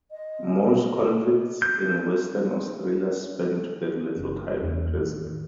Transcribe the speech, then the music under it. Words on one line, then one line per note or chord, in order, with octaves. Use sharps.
Most convicts in Western Australia spent very little time in prison.
D#5
G6
F#1 C#4
E2
A2 D#3